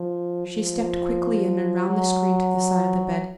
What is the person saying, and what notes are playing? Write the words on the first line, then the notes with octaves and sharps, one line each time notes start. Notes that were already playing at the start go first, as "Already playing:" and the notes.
She stepped quickly in, and round the screen to the side of the bed.
Already playing: F3
F3
F#3